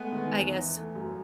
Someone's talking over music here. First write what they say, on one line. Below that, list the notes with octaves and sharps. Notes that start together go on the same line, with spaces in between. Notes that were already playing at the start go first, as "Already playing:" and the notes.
I guess,
Already playing: G#3 A3 B3
D#3
E2
E3
A3
F#2